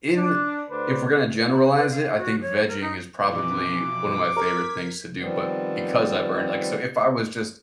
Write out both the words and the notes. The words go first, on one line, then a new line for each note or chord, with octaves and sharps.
in, if we're gonna generalize it, I think vegging is probably one of my favorite things to do, but because I've earned, like so if I was just
D4
D2 D4 B4 C5
B5
B4
F5
F#4
C#5
A#4
D#4
F2 B2 E3 D6
A#4 G#6 B6
D#3 F3 G3 B3 C4